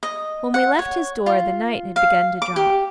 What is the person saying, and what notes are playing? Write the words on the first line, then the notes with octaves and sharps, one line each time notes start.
When we left his door the night had begun to drop.
D#5
F#5
C#5
F4
F5
D6
G4